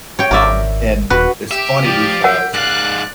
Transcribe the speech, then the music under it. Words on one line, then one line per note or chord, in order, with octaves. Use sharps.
Um, and it's funny because
C#5 G5
G#1 A#4 D5 E5
D#1 F#4 B4
G4 E5
F3 D5
A#4 F#5 G5
G#2 D5 F5 F#6